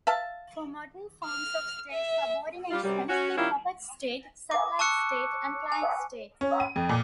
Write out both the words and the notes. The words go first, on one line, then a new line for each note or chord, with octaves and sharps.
For modern forms of state subordination, see puppet state, satellite state and client state.
E5 F5 A5
F6
E5
G3 F4
F#2 C3 F#3 G3
C#4 F#4
D#3 G3 C#4 E4 F4
D6
A5 C#6 E6 F#6 C#7
G#5
C#4
D#7
F2
A#2